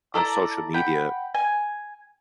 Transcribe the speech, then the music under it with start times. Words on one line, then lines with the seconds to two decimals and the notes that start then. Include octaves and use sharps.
on social media,
0.14 E4 A4 D5 A#5
0.74 F#5 G5 B5
1.35 G#5